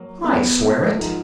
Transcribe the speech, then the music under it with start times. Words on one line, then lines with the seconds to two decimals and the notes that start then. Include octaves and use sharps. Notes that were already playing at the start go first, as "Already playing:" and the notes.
"I swear it."
Already playing: F#3 A#3
0.24 B3
0.98 G#2 F3 G#3 D#4 A#4